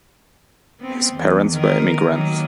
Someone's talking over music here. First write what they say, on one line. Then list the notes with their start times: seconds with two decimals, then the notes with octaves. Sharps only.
His parents were immigrants.
0.80 B3 C4
1.13 E2
1.54 D#3 A#4
2.12 D#3 F#3 A#3